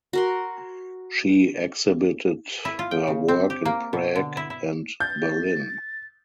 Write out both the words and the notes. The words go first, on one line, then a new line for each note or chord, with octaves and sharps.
She exhibited her work in Prague and Berlin.
F#4 A#4 C6
E4
F4
G5
C#3
C4
G4
A#3
B2
D3
E4
E4
G6 A6